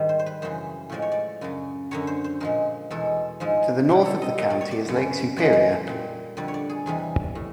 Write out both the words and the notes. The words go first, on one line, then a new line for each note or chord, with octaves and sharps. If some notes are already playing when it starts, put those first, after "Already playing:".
To the north of the county is Lake Superior.
Already playing: G#2 D#3 G3
C5
C5
B4
F#2 C#3 E3 C5
A2 F3 G#3 D5
C#5
D5
F#2 C#3 F#3
F#2 D3 F#3 C#5
C5
C5
A#2 F3 G#3 A#4
E2 B2 G#3 A4
G#2 F3 G#3
B2 G3 G4
A4
D#5
A#2 G3 D#5
D5
C#5
D5
F#2 C#3 F#3
F2 C#3 E3 G#3 D5
D#5
D5
A#2 G3
F2 D3 G3 D5
C#5
D5
G#4
E2 C3 E3 G3 G#4
A2